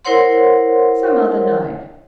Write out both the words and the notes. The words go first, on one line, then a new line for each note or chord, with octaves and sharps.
"Some other night."
E4 A#4 C5 C#5 F#5 C6